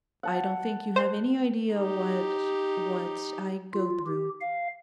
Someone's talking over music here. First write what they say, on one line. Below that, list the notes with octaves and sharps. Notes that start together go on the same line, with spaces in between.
'I don't think you have any idea what--what I go through.'
F#5 A5
C5
D#4 G4
F4
G4
F5